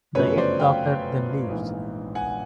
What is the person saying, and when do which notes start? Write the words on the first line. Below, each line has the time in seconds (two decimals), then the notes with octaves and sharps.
The Eighth Doctor then leaves.
0.15 G1 F#2 C#3 F3 A3 B4 C#5
0.38 C5 D5
0.60 F5 G5
1.49 A#1 G#2 E3
2.15 F#5 G#5